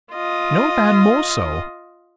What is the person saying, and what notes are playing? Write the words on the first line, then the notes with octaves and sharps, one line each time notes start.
"No man more so."
F4 D#5